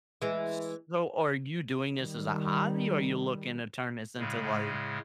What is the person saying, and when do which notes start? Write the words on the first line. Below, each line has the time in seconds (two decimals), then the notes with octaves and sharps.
So, are you doing this as a hobby, or are you looking to turn this into, like,
0.22 E3 G#3
1.96 D#3 G3
4.18 A2 C#3 G#3